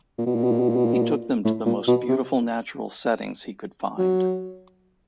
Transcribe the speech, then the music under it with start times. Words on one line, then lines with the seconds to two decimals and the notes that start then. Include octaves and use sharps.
He took them to the most beautiful natural settings he could find.
0.18 A#2
0.26 B2
0.35 A#2
0.44 B2
0.51 A#2
0.60 B2
0.69 A#2
0.76 B2
0.85 A#2
0.94 B2
1.02 A#2
1.45 A2
1.66 A#2
1.87 B2
2.08 C3
3.98 F#3